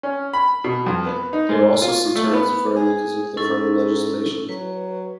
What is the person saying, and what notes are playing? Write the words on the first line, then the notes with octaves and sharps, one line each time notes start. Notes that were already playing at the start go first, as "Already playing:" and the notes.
There are also some terms differing because of differing legislation.
C#4
B5
B2
F2
B3
D#4
G#2
F4
A3
B3
G#4
G#2 C#4 E4 A4
F#3 B4